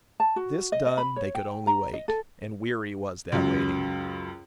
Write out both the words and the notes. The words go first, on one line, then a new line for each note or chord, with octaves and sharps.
This done, they could only wait, and weary was that waiting.
A5
F#4
D#5
D#5
B5
C#5
G5
A#5
D#5
A4
C#2 F#2